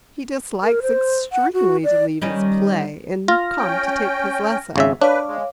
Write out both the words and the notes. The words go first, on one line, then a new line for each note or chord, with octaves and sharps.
He dislikes extremely to leave his play and come to take his lesson.
A#4
C5
F#5
F#4
D5
D#3 G3 C#4
F4 F6 A#6
C#4 G5
G#1 C#3 E5
D4 B4 C#5 F5 D6
G#3